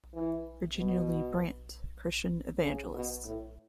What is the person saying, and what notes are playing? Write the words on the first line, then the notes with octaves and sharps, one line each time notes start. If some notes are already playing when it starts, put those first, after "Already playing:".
Virginia Lee Brandt, Christian evangelists.
E3
B2
C#3
B2
A2